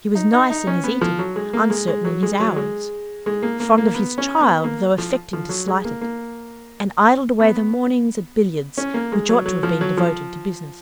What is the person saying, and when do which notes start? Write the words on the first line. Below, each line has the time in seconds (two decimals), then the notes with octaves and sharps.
He was nice in his eating, uncertain in his hours; fond of his child, though affecting to slight it; and idled away the mornings at billiards, which ought to have been devoted to business.
0.15 D#4
0.33 D#4
0.50 D#4
0.67 C#4
0.84 B3
1.01 F3
1.19 F#3
1.36 G#3
1.53 A#3
1.70 G#3
1.88 G#3
2.05 F#3
2.23 G#3
2.40 F#3
2.56 G#3
3.26 G#3
3.43 A#3
3.60 A#3
3.78 A#3
3.95 B3
4.18 C#4
4.41 B3
4.64 A#3
4.98 F3
5.33 F3
5.49 F#3
5.67 G#3
5.85 A#3
6.01 A#3
7.40 B3
8.78 C#4
8.94 A#3
9.12 G#3
9.29 F#3
9.46 F#3
9.63 F3
9.81 F#3
9.97 F3